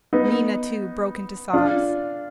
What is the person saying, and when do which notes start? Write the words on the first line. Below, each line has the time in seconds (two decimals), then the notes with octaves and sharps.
Nina, too, broke into sobs.
0.13 B3 D#4
1.53 D4 F4